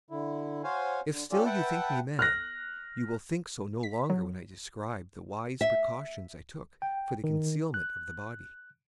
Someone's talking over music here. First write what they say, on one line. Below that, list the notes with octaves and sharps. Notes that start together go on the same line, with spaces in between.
If still you think me mad, you will think so no longer when I describe the wise precautions I took for the concealment of the body.
D3 E4
F#4 C5 C#5 F5 G#5
D3
C#4 F4 G4 A4 D5
B4 E5 F#5 G5 A5
F6 F#6 A#6
B6
F#3
E5
G5
D#3
F#6